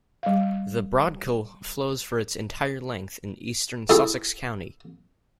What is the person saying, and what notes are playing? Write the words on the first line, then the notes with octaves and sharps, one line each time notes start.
The Broadkill flows for its entire length in eastern Sussex County.
G3 F5
A3 E4 G#4